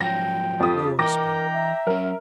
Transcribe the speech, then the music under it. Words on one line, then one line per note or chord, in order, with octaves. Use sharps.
No one spoke.
G#2 F3 F#3 G5 A#6
F2 F4 G4 A4 D#6
E3 A#4 D#5 G5 A#5 D6 A#6
E5
F#3 C#4 A#4